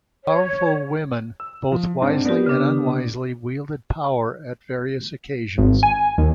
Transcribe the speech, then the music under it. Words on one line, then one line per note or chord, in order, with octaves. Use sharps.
Powerful women both wisely and unwisely wielded power at various occasions.
C#5
E6
F3
G#2 C4 D4
B3 G4 A#4 D5
C#3 D4
G#1
G#5
D#2